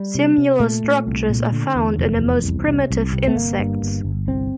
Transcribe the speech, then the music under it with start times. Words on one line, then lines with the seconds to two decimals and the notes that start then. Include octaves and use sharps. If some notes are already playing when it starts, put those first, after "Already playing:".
Similar structures are found in the most primitive insects.
Already playing: G3
0.15 C3
0.38 C3
0.60 A#2 A3
0.84 A#2
1.07 C2
1.30 A#2
1.52 D3
1.75 E2
1.98 F1
2.21 E2
2.44 C2
2.67 C3
2.91 C2
3.13 C3
3.28 A3
3.35 G1 A#3
3.59 G2
3.82 G1
4.05 G1
4.27 C2 C4